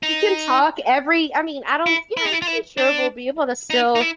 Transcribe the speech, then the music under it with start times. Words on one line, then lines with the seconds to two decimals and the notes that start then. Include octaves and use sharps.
We can talk every I mean, I don't, yeah, I'm pretty sure we'll be able to still,
0.03 D#4
1.86 E4
2.17 E4
2.25 D#4
2.32 E4
2.42 F4
2.47 E4
2.78 D4
3.70 D#4
3.95 D#4
4.01 E4